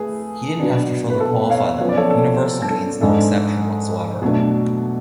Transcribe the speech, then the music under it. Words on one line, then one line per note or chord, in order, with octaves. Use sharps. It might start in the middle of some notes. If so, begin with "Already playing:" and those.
He didn't have to further qualify them - universal means no exception whatsoever.
Already playing: A3 G#4 B4
B2 F#3 B3 D4
B4
A4
C#5 F5
F#2 F3 B3 C#5
D5
A4 C#5
A4
A4
G#2 G#3 D4 A4
B2 F#3 A3 D4